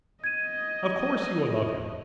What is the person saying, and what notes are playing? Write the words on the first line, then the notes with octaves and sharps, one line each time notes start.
Of course, you will love him.
D#5 G#6 D#7